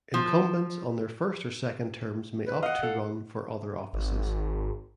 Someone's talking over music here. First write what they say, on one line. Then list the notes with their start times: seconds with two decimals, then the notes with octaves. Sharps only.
Incumbents on their first or second terms may opt to run for other offices.
0.14 F3
2.47 B4
2.62 D#5 F5 F#5
2.83 A4
3.93 G#1